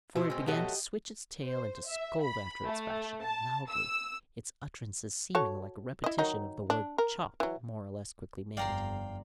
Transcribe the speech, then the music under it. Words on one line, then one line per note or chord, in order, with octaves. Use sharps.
For it began to switch its tail and scold after its fashion, loudly, its utterances seeming like a repetition of the word "chop" more or less quickly made.
B2 E4 C5
G#3 C4
F#3 A3 G4 D#5
C5
E5
B5
A3
A5
E6
F#4 A4 C#5
E4 D#5
D#3 F#3 D#4
D4
A#4
E3 F#3
G1 F2 D5 F5 G5 A#5 C6